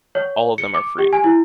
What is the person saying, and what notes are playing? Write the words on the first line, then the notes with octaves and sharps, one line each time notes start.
All of them are free.
C#5
C#7
D6
G4
G#5
E4